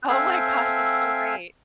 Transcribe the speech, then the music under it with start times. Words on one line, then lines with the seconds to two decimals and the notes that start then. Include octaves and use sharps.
Oh my gosh. That's so great.
0.09 C4 A4 E5 F5 G5 G#5